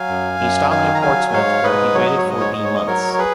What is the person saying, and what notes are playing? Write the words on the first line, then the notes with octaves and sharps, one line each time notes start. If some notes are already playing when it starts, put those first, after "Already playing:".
He stopped at Portsmouth where he waited for thee months.
Already playing: F#3 F5 G#5
F#2
F#2
D#3 F5 G#5
A#5
F#3 F5 G#5
G#2 C#5 F5
G#2 B4 D#5
F#3 C#5
D#5
C#5
G#2 D#5
C#5
G#2 D#5
C#5
D#5
F#3 A#4 C#5
C#5
G#4 B4